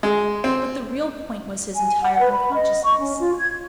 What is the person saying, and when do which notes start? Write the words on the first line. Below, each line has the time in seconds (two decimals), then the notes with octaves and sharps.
But the real point was his entire unconsciousness.
0.03 G#3
0.44 C4
1.76 G#5
2.03 F#5
2.18 B4
2.32 B5
2.53 D#5
2.83 C#6
2.99 C#4
3.20 F4
3.37 G#6